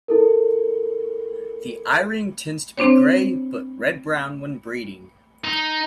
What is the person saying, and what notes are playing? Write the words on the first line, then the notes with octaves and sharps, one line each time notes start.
The eye ring tends to be grey but red-brown when breeding.
E4 A4 A#4
C4 D4 C5 C#5
D#4